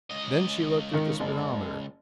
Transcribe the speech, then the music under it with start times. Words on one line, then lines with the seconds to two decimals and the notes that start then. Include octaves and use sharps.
Then she looked at the speedometer.
0.11 C#2 D#5
0.93 D#3
1.20 F#1